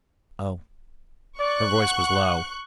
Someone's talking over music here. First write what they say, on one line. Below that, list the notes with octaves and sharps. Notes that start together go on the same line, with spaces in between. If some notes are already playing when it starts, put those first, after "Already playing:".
"Oh." Her voice was low.
D5 C#6 F#6
F#5